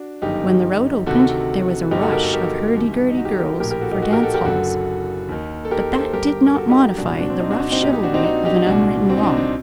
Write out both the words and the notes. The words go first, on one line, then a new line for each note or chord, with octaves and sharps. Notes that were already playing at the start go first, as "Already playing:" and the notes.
When the road opened, there was a rush of hurdy-gurdy girls for dance-halls; but that did not modify the rough chivalry of an unwritten law.
Already playing: D4 F#4
G1 F#2 D#3 D#4 G4
D2 C3 D#3 F#4 A4
G1 G2 D3 D#4 G4
F#4 A4
G4 A#4
F#4 A4
G4 A#4
C2 C3 D#3
D#4
F#4
G4
A4
G4 A#4
A#1 A2 G4 A#4
G4 A#4
F#4 A4
D#4 G4
F#4 A4
G4 A#4
F#4 A4
G4 A#4
F#1 F#2 D3 F#4 A4
D#2 D#3
A4
G4 A#4
A4 C5
G1 G2 D3 G4 A#4
A#4
F#4 A4
D#4 G4
D#4 G4
C2 A#2 D4 F#4
D4 F#4
C4
C4 D#4
D4 F#4
D4
C4 D#4
A#1 A#2 D#4 G4
D#4 G4
D4 F#4
C4 D#4
C4 D#4
D#4 G4
C2 A#2 D4 F#4
C4
D#4
D4
C4